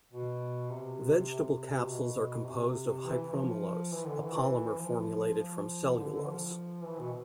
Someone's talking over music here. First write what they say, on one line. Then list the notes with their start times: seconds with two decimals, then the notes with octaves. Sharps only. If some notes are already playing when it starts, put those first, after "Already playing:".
Vegetable capsules are composed of hypromellose, a polymer formulated from cellulose.
0.13 B2
0.71 C3
1.30 C3
1.88 B2
2.47 C3
3.05 E3
3.19 E3
3.34 F3
3.93 E3
4.07 D3
4.22 E3
4.80 F3
5.38 F3
5.97 D3
6.12 D3
6.26 F3
6.84 E3
6.99 B2